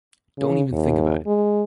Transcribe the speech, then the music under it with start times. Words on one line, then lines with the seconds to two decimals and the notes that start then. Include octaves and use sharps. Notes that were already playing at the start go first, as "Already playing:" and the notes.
Don't even think about it!
0.38 C#3
0.72 D#2
1.26 G#3